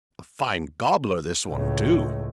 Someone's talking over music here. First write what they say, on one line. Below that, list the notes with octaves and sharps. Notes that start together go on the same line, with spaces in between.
"A fine gobbler this one, too!"
C#2 A2